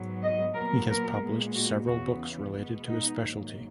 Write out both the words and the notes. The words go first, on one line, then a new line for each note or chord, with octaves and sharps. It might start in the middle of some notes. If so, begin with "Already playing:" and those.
He has published several books relating to his speciality.
Already playing: G#2 F#3 B3
D#5
A#2 F#3 B3 A#4
A#4
A#2 G#3 B3
F#4
E2 C#3 E3 B3 F#4
B2 G#3 B3
D#4
G#2 D#3 F#3 A#3